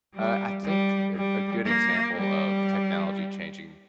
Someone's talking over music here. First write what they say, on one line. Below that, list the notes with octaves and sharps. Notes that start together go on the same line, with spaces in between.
Uh, I think a a good example of technology changing
G3
G3
G3
A#3
G3